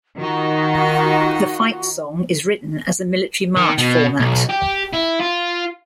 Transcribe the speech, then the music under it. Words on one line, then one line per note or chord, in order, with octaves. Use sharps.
The fight song is written as a military march format.
D#3 D#4 F4 F#4
D#3
B2
B1
G4
E4
F4